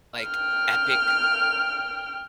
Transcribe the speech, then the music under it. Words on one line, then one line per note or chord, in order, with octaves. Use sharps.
like, epic
G5 F6